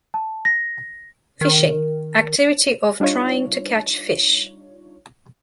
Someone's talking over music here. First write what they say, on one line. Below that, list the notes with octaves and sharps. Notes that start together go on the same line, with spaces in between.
Fishing - activity of trying to catch fish.
A5
A#6
D#3
G3 D4 D#4 F4 C#5